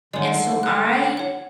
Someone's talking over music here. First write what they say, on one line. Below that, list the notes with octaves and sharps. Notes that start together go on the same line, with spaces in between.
and so I
D3 D#3 G#3 C#5 D5
D#6 F#6
C#5 F#5